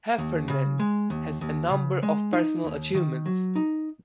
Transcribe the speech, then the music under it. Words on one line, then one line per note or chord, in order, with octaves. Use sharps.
Heffernan has a number of personal achievements.
D#2
C#3
G#3
D#2
D#2
C#3
G#3
D#4
D#2
D#3
F#3
D#4